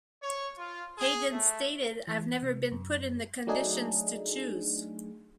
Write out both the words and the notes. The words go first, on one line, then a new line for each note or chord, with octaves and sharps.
Hayden stated I've never been put in the conditions to choose.
C#5
F4
G#4
A3
E3
C3
F#2
F#3 A3 D4 D#4 G#4